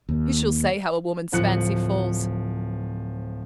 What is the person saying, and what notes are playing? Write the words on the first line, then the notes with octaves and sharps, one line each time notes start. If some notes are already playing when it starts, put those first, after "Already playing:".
Who shall say how a woman's fancy falls?
D#2
D1 F3 F#6 C#7